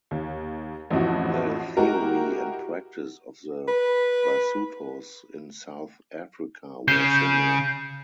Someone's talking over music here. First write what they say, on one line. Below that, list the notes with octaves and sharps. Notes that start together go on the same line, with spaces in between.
The theory and practice of the Basutos in South Africa were similar.
D#2
A1 F2 E4 F#4
G#3 E4 F#4 G4 A#4
B4
C#3 G6 C7